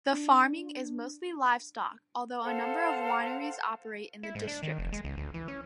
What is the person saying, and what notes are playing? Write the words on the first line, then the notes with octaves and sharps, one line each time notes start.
The farming is mostly livestock although a number of wineries operate in the district.
D4
A4 C5 F5 F#5
E4
G#2
D4
D#3
F1
G#3
C#2
D2
E3
C#4